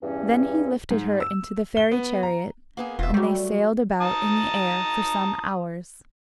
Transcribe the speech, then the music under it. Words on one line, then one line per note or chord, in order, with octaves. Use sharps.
Then he lifted her into the fairy chariot, and they sailed about in the air for some hours.
E2 G2 E3 C#4
G#2
E6
G7
B3
A#5
A#3 B3 G#4
E1 F4 E5
F#3 G3 A3
A5 A#5 D#6